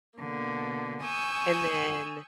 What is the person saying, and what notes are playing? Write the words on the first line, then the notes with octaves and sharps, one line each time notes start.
And then
B2 D3 A#3
G#5 C#6 D#6 E6 G6